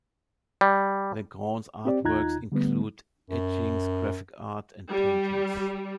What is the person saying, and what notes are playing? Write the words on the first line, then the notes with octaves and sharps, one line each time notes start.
Legrand's artworks include etchings, graphic art and paintings.
G3
C4 G4 D5
D#2 D#4 F4 A#5 F#6 G#6
D3 G3 A3 B3
F#2
G3